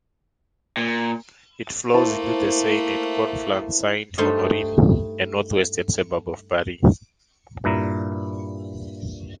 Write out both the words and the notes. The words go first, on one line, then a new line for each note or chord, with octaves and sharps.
It flows into the Seine at Conflans-Sainte-Honorine, a north-western suburb of Paris.
A#2
A3 A#3 E4 C5 A5
G2 A3 D#4 C5
G2 A#2 E4 A#5